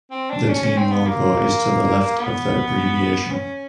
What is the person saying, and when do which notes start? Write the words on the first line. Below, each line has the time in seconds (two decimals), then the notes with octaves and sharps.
The team logo is to the left of the abbreviation.
0.11 C4
0.30 D4
0.48 C#4
0.63 C#4
0.78 C4
0.92 B3
1.06 A#3
2.19 B3
3.31 C#4